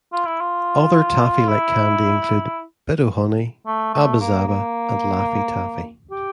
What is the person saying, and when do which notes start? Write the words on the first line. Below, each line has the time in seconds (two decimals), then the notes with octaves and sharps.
Other taffy-like candy include Bit-O-Honey, Abba-Zaba, and Laffy Taffy.
0.12 F4
0.26 E4
0.41 F4
1.49 E4
3.67 A3
3.94 A3
4.21 A#3
4.48 A#3
6.11 G4